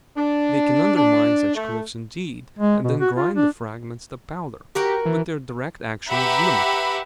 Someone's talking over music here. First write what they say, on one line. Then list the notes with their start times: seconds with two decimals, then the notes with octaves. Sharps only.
They can undermine such cliffs indeed, and then grind the fragments to powder, but their direct action is limited.
0.17 D4
0.96 D4
1.55 A3
2.59 G#3
2.84 B2
3.00 F#4
3.16 F4
3.35 D4
4.75 F#4 G4 A#4 F#5
5.05 E3
6.09 G4 B4 E5 F#5 A#5 B5